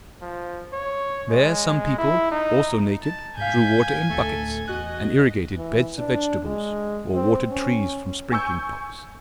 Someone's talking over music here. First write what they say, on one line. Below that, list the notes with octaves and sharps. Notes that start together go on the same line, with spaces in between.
There some people, also naked, drew water in buckets, and irrigated beds of vegetables, or watered trees from sprinkling-pots.
F3
C#5
G#3
E4
D#4
A5
G#2 F5 G#5 G6 B6
D2 A2 A3 A4
E2 F#4 D#5 F#6
E3
D4
G#3
C4
C#4
G#5 C#6 E6 G6